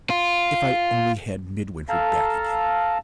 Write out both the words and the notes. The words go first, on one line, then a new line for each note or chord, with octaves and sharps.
"If I only had Midwinter back again!"
F4
A4 F5 A5 A#5